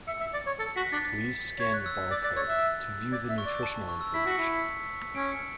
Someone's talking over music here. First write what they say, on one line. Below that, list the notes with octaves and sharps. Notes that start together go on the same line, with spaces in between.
Please scan the bar code to view the nutritional information.
E5 C#7
E5
D5
C#5
A4 C#7
F#4 B6
D4 A6
C#5 G#6
F#6
E6
D5 A6
D5 F#6
C#5 E6
E5 F#6
D5 G#6
E5
C#6
D5
A5
A5
C#6
E6
E4 B6
F#4
C#7
E4
C#4 D7
C#7